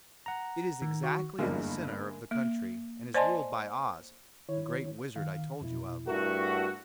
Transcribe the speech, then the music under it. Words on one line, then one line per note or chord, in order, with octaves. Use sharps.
"It is exactly in the center of the country, and is ruled by Oz, the Great Wizard I told you of."
F#5 A#5
D#3
F#4
F#1 E2 G2 D3 G#3 A#3 E4
A#3
C5 D5 D#5 G#5 A5 C6
D#3 E4 C#5
D#3 F5
F2 B2 E4
G2 A3 E4 F#4 A#4